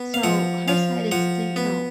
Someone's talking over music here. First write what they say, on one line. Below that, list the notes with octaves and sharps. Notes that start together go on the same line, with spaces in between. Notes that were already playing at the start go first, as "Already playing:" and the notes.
So, her side is the, you know
Already playing: B3
F5
F3 F#5
F3 F5
F3 F#5
B3